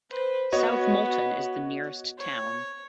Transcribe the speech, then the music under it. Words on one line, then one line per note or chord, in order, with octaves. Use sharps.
South Molton is the nearest town.
B4 C5
B3 F#4 C#5 D#5
C#5